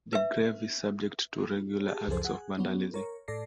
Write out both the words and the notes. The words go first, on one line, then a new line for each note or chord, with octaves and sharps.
The grave is subject to regular acts of vandalism.
B4 E5
G4 G#4 A5
C#2 F#2 F3 G#4 A4 C5
G#4 F#5
F#3 B3 C#4 D4
A#4 C#5
A2 A4 D5 A#6 C7